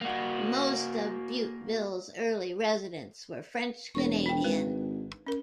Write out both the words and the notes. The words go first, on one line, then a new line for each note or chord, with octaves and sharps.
Most of Butteville's early residents were French-Canadian.
A#3 F#4
E1 C#5 C#6
D4 G5
G#1 G#3 A#4 B4
C#4 A#4